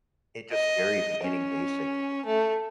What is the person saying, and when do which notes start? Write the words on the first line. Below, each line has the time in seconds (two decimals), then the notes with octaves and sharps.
it just very beginning basic
0.52 D#5
1.24 C#4
2.25 A3